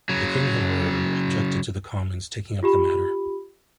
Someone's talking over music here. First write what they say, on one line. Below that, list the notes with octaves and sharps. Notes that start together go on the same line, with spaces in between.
The king, however, objected to the Commons taking up the matter.
C#3 F#3
F4 G4 B5